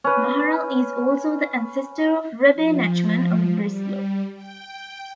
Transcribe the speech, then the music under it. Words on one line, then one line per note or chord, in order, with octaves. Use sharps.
Maharal is also the ancestor of Rebbe Nachman of Breslov.
C#4 B4
F3
G3
G5